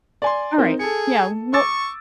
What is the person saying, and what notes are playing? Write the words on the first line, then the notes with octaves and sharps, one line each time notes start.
Alright. Yeah, wha
D5 G#5 C6
C4 D#4 A#4
G#4 A4 C#7
C#6 D6 E6 A6